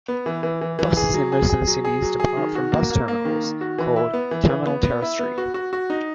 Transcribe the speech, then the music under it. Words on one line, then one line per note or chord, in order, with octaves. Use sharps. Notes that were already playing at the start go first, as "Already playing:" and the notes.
Buses in most of the cities depart from bus terminals called "terminal terrestre".
B3
E3
E3
E3
E3
G#4
F#3
G#4
G#4
F#3
G#4
F#3
G#4
D#3
F#4
A#3
A#3
A#3
D#3
D#3
F#4
E3
E4
B3
E3
E3
B3
B3
E4
B3
F#4
F#4
F#4
D#4